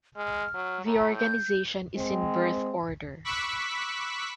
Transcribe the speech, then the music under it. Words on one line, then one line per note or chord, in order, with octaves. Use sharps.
The organization is in birth order.
G#3 F6
F#3
A2 A#5
G6
G#3 C4
B5 C#6 D6 E6 F#6 B6